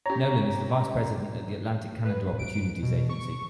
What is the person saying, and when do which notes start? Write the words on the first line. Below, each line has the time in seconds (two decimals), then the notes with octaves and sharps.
Nowlan is the Vice president at the Atlantic Canada Opportunities Agency.
0.06 C#4 G4 C#5 A#5
2.05 B4
2.39 D7
2.82 B2
3.09 C#6